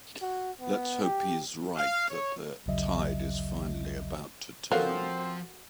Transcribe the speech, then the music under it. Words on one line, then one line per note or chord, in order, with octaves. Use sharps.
Let’s hope he is right that the tide is finally about to turn.
F#4
B3
G4
F5
C#5
A#1 D#2 C#3 F#3 D#5 E5
F3 C4 F#4 A4 A#4 C#5 F5